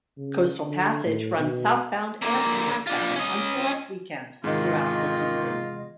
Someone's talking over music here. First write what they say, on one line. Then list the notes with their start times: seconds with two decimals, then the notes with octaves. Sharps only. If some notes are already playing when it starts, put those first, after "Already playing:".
Coastal Passage runs southbound and northbound on select weekends throughout the season.
0.17 C#3
0.63 D3
1.05 A2
1.38 B2
2.22 D3 A#3
2.87 D4 F4
3.16 C#4 D#5
4.44 E2 G#2 C3 D#3 G#3 F4 D#5